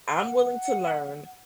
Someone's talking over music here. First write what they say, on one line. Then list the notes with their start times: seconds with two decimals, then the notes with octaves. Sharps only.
I'm willing to learn,
0.19 F#5